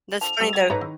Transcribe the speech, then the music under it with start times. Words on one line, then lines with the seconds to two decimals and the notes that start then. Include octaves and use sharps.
That's funny, though.
0.21 D3 F3 A5 F7
0.40 G3 B3 C4 A5 E6
0.53 C4 G5 G#6 A6
0.70 G#2 B3 A4 B4 C#5 A#5
0.81 D#3 E4